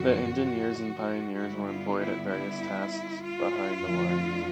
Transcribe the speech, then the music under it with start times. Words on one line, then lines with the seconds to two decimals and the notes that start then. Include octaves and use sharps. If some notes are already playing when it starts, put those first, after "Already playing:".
The engineers and pioneers were employed at various tasks behind the lines.
Already playing: F#2 D3 F3 F#4
1.34 G2 D3 G3 B3 E4 F#4
1.65 F4
1.96 E4
2.27 E4
3.20 F4
3.81 F2 D3 F3 A3